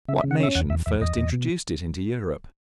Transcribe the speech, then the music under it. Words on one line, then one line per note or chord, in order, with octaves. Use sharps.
What nation first introduced it into Europe?
C#3 E5
E5
C#3
F#5
C#4 E5
E2 F#5
E2 E5
E2 E5
E2 D#5
E2
B2